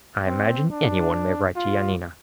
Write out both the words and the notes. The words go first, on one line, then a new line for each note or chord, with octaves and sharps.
"I imagine any one may write to Yanina."
C4
D4
F4